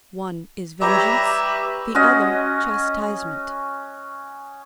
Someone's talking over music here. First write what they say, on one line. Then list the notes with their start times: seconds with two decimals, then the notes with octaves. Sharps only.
One is vengeance, the other, chastisement.
0.81 G3 G4 B4 C#5 E5 A#5 D6
1.95 C#4 F#4 D#5